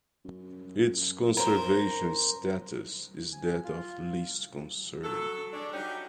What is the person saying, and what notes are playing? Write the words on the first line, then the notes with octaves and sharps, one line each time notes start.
Its conservation status is that of least concern.
F#2
A#4 C5
G#5
F4
F#3 A4
G#3 C#4 D4
F#3 G3 C#4 D#4 G4